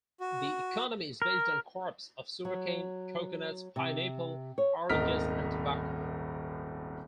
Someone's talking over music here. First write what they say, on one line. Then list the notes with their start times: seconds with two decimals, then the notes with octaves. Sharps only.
The economy is based on crops of sugarcane, coconuts, pineapple, oranges and tobacco.
0.20 F#4
1.22 A#4
2.45 F#3
3.76 C3
4.58 C#5
4.90 D#1 G#1 A#4 D#5 F6 B6